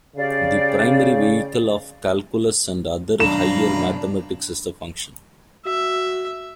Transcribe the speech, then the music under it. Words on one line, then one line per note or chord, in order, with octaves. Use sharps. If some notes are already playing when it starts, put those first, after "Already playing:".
The primary vehicle of calculus and other higher mathematics is the function.
C#3 G4 D5 F5
B1 F#2 D4 F5 A#5 B5 E7
F#4 E5